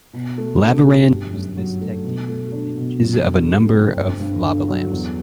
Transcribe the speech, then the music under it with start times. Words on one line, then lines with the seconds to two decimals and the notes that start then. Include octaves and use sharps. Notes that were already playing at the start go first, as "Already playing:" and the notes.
Lavarand used this technique with images of a number of lava lamps.
0.13 B2
0.38 A3
0.61 D4
0.85 G4
1.10 G1
1.33 F#2
1.57 F#3
1.81 A3
2.04 B2
2.29 A3
2.52 D4
2.77 B2
3.00 F#2
3.24 D3
3.48 A3
3.72 C4
3.96 G1
4.20 G2
4.44 D3
4.68 F#3
4.91 E2